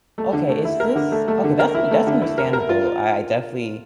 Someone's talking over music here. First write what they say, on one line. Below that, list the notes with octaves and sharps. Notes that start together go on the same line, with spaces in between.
Okay, is this Okay, that's un that's understandable, I definitely
A3
D3
A3
E4
A#4
D3
A3
A3
D3
A#4
E4
A3
D3
E4
A#4
A#4
F4